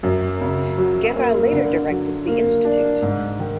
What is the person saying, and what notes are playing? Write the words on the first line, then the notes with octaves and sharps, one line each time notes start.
Guerra later directed the Institute.
F#2
C#3
F#3
A#3
D3
F#3
A#3
D4
G#2
D#3